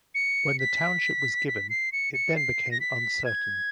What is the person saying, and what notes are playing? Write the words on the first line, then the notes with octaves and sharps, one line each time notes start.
When the township was given, it then became "Uncertain".
C#7
B6
B6
C7
C#7
C#7
C7
A#6
B6
G#6